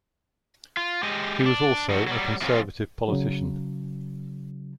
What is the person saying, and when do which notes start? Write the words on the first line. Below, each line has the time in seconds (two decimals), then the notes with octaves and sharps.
He was also a Conservative politician.
0.77 F4
1.03 G#3 G4 D#5
1.46 D4
1.90 F3 D#4 F#4
2.07 F#3 G3
2.41 C3 F3 F#3 C4 C#4 F4
3.08 C#3 F#3